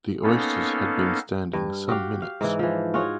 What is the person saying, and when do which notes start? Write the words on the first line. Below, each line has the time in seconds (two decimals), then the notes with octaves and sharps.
The oysters had been standing some minutes.
0.23 A#3 B3 C#4 D#4 A4 F5
1.53 G2
1.88 F#4 G4 F5
2.22 F5
2.41 G#2 E3
2.59 E3 F3
2.94 F4 F#4 G#4 C#5